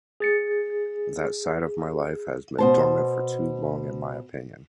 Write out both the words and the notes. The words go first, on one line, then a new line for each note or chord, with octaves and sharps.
That side of my life has been dormant for too long in my opinion.
G#4 A6 C#7
B2 C5 A5